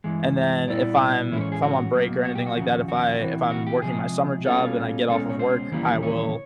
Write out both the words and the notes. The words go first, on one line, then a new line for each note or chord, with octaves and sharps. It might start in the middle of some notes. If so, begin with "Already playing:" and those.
And then if I'm if I'm on break or anything like that, if I if I'm working my summer job and I get off of work, I will
G2 E3 G#3
A#2 G3 B3 E4 D5
A2 E3 G#3 C#4 E4
C#5
G#4
F#4
C#2 B2 F#3 A#3
F#4
G4
F#4
D#2 C#3 F3
F#4
C2 C3 E3
F#4
G4
C3 F3 G#3 G#4
B2 G3 A#3 C#4 F4 A4
C#2 B2 G#3 C#4 A4
C#5
C5
D#2 C#3 E3 G3 A#3
C#5